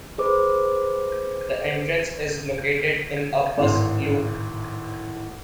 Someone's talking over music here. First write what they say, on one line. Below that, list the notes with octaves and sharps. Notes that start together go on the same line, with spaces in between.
The entrance is located in a bus loop.
G#4 B4 C5 D6
G#1 A2 C6